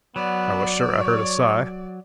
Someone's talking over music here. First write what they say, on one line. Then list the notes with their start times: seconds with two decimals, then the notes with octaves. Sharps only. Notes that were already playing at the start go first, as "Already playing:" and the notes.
I was sure I heard a sigh.
0.16 F#3 B3 D5
0.99 C#5